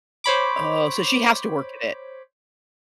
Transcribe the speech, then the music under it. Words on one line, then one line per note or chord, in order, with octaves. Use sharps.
Oh, so she has to work at it.
C5 C#5 B5 D6